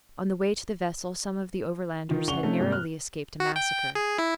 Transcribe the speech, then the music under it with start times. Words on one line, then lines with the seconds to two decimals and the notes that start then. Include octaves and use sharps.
On the way to the vessel some of the Overlanders had narrowly escaped a massacre.
2.09 D#3 F4
2.28 C#3 D5 F#5 C#6 F7 G7
2.43 C3 A3 C#4 D#4
2.59 G#2 C3 G3 A#3
2.72 F6 F#6
3.40 F#4
3.56 G5
3.95 G#4
4.18 E4